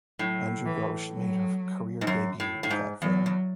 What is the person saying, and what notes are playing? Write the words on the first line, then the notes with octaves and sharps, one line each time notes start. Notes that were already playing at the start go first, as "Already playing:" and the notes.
Anju Ghosh made her career debut with that film.
A2 F#3
E3
F#3
G#2
F#2
A2
A2
G#2
E2 F#3
E2